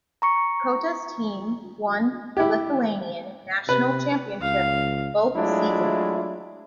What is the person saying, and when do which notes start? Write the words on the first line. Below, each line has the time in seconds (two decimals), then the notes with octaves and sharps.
Cota's team won the Lithuanian National Championship both season.
0.22 A#5 C#6 C#7
2.37 E4 G4
3.69 C3 B4
4.41 C#2 F5
5.36 F#3 G#3 A3 D4 E4 F4